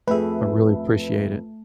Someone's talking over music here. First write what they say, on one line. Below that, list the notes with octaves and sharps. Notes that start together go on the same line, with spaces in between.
I really appreciate it.
F2 A3 G#4 B4 E5